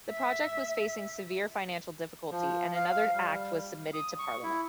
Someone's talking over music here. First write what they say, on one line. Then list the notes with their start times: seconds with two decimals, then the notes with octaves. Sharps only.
The project was facing severe financial difficulty and another Act was submitted to Parliament.
0.11 E5
2.31 F3
2.75 F5
2.91 F5
3.14 G3
3.93 D#6
4.19 C#6
4.43 E4